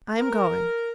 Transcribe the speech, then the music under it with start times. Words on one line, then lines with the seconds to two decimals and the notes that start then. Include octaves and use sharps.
I am going.
0.18 A#4